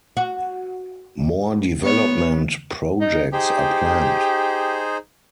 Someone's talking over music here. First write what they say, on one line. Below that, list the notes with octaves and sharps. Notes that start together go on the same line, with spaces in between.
More development projects are planned.
F#4
B3 C#5
D#4
D#4 G4 G#4 C5